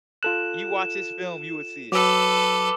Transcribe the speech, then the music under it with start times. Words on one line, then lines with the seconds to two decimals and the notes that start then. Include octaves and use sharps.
you watch his film, you would see it,
0.23 F4 A4 F#6 E7
1.92 F#3 A4 B4 D6 E6